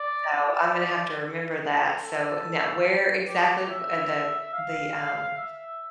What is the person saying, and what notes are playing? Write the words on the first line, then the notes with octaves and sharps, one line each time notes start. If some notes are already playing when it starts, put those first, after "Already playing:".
so I'm gonna have to remember that, so, now where exactly, uh, the the, um
Already playing: D5
D5
A4
G4
E5
F5
E5